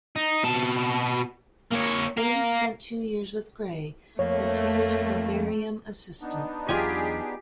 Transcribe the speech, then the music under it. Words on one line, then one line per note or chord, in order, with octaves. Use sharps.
Bailey spent two years with Gray as his herbarium assistant.
D#4
B2 A5
A#3 C#5
F5 A#5
F2 A3 A#3 C#5
B3 D4 D#4
E2 F#3 F4 G4 G#4 G#5